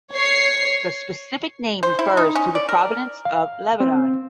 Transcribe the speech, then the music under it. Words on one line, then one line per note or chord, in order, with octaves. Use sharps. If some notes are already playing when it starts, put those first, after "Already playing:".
The specific name refers to the provenance from Lebanon.
C#5 C7
C5
E4
D#4
C#4
D5
A#4
F5
C4